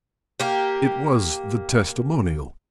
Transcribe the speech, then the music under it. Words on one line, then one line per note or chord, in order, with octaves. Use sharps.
It was the testimonial.
A#3 G4